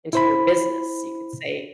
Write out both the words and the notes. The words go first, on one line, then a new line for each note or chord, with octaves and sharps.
into your business. You could say,
E4 C5 B5